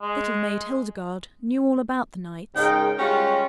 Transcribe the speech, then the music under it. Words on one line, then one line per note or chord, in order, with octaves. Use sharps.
Little Maid Hildegarde knew all about the knights.
G#3
G#2 C#3 G#3 A#4 G5
G3 G#3 C#4 F4 F#4